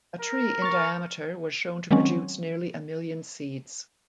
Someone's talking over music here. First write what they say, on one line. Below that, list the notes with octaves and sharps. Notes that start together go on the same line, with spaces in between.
A tree in diameter was shown to produce nearly a million seeds.
A#4
C#6 F6 A6
D#3 F#3 G#3 C4 C#4